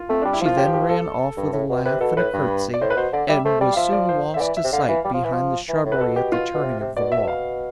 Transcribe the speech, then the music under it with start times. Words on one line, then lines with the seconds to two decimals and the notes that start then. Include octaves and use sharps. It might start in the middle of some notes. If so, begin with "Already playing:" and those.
She then ran off with a laugh and a courtesy, and was soon lost to sight behind the shrubbery at the turning of the walk.
Already playing: F4
0.09 A3 C4
0.22 G3 D4
0.33 E4
0.41 F3 F4
0.57 G4
0.74 G4
0.89 A4
1.37 G2
1.53 A2
1.69 B2
1.85 C3 B4
2.01 B2 A4
2.16 A2 B4
2.33 G2
2.74 D5
2.81 A2 C5
2.90 B4
2.96 B2 C5
3.13 D3 D5
3.29 G3 E5
3.45 A3 C5
3.61 G3 D5
3.73 F5
3.77 F3 E5
3.92 D5
4.09 C5
4.34 D3 E5
4.41 E3 D5
4.57 E5
4.64 C3
4.72 D3 F5
4.88 E3
5.04 G3
5.14 F3
5.24 E3
5.33 F3
5.69 E3
5.85 A2
5.92 B4
5.96 C3
6.01 B2 A4
6.16 G4
6.32 F4
6.54 B2
6.64 C3
6.80 C3
6.97 B2 D5
7.12 E5
7.28 F5